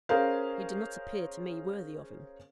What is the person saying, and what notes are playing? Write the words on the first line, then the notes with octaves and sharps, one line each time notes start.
You did not appear to me worthy of him.
C#4 G#4 A#4 C5 F5